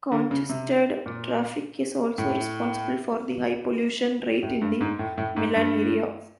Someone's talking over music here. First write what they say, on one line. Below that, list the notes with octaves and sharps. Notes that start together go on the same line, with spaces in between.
Congested traffic is also responsible for the high pollution rate in the Milan area.
D3
C#3
C3
A#2
A2
A2
G2
G#2
A2
A2
G#2
G2